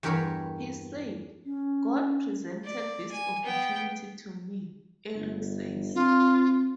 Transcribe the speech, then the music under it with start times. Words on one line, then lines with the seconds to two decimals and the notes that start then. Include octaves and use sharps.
He said, "God presented this opportunity to me," Eric says.
0.03 E2 G2 G4 A#4 C#5 B5
1.46 C#4
2.64 D5
3.11 G#5
3.43 B3 G5
5.15 G1
5.94 C4 F4